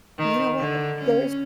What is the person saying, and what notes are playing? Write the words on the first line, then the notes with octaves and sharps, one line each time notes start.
You know, what, there's
D#3
D3
C#4